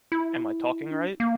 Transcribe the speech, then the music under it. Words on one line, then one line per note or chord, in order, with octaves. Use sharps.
Am I talking right?
E4
D4
A#3